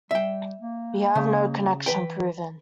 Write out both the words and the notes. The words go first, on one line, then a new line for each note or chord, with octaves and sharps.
We have no connection proven.
G3 E5 G5
A#3
C#3 A#3
E3 B4 G5